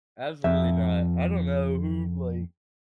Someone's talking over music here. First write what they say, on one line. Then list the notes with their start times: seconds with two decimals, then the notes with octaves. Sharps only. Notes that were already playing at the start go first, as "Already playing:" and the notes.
Absolutely not. I don't know who, like
0.44 F2 E5